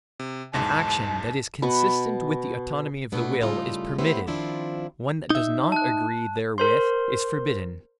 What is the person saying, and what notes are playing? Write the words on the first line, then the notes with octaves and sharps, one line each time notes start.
An action that is consistent with the autonomy of the will is permitted; one that does not agree therewith is forbidden.
C3
B1 E2 G#2 A5
B2 B3 B4 C#6
B2 A3 B3 D4
A2 C#3 G3 D#4 F4 A4
A3 B3 C#4 E4 G4 C5
D#3 F3 C4 D4 E4 F4
D#4 E5
A5 F#6
A#4 C5 C6